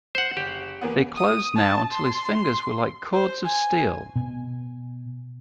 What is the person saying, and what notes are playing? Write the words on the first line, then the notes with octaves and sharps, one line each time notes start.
They closed now until his fingers were like cords of steel.
C5 F#5
F#1 G4
E2 A#3 B3
D#6
A5
C6
C5
G#5
B2